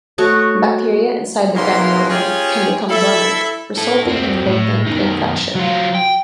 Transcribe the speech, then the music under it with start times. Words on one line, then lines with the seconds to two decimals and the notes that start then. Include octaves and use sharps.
Bacteria inside the granuloma can become dormant, resulting in latent infection.
0.18 A3 F#4 C#5 D#5
1.55 G#2 B2 E3 A#3 F4 C6
2.08 C#4 F4 G4 G#4
2.89 E4 A4 E5
3.77 E4 A4
4.05 F#2 C4
4.46 A2
4.87 F#2 D#3
5.55 F#3 F4
5.95 G5